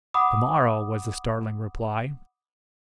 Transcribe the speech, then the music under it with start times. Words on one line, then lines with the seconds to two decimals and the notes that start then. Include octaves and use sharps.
"To-morrow," was the startling reply.
0.14 F#5 B5 D6 D#6